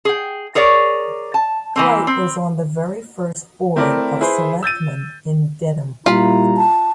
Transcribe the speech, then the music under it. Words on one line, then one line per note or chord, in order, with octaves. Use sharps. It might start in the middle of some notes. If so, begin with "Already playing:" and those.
Dwight was on the very first Board of Selectmen in Dedham.
G#4 G5
G#4 A#4 C#5 D5
A5
E3 A#3 C4
C4
A3 C4 E4 A#4 D5 E5
E4 G#4 B4 C5
E6 G6 A6 D#7
A#2 G3 E4 F4 A#5 B5
A5